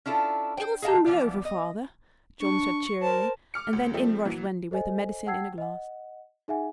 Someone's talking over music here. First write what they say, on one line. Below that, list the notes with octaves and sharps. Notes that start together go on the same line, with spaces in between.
"It will soon be over, father," John said cheerily, and then in rushed Wendy with the medicine in a glass.
C#4 D4 E4 F4 A4
C5 G5
G#4 D#5 F5 F#5 A5 A#5
E3 F3 B3 D5
D#5
D4 C#6
A#4 C5 A5
D6 F6 C#7
D2
F3 G3 A3 C4
A#2 E3 F#3
A4 C5 D#5 G#5
F#5 G5 A5 E6 G#6 C7
D#5 F#5
D#4 G#4 E5 F#5 G#5